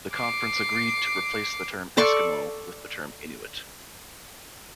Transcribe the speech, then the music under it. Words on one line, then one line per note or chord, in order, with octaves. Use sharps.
The Conference agreed to replace the term Eskimo with the term Inuit.
D6 C7
A4 D5 C6 C#6